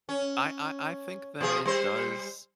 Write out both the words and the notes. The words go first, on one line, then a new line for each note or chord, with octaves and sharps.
I I I think that it does
C#4
B2 F3 G#4
G3 C5